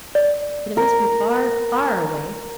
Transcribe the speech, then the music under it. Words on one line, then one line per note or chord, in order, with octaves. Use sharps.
But it must be far, far away!
D5
A#4